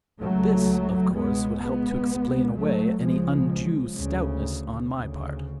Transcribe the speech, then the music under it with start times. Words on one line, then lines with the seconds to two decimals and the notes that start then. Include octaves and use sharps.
This of course would help to explain away any undue stoutness on my part.
0.20 C#2 C#3 F#3 A3
1.14 C#2 B2 G#3 B3
1.62 G#3 B3
2.09 C#2 C#3
2.56 F#3 A3
3.04 C#2 C#3 F3 G#3
3.97 D2 C#3
4.92 D2 C#3